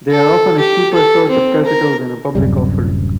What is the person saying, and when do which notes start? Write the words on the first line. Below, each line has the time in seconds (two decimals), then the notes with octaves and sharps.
They are often a cheaper source of capital than a public offering.
0.11 A4
0.59 G4
0.93 A4
1.29 C4
1.65 A#4
2.35 D1 F#2 C3 G3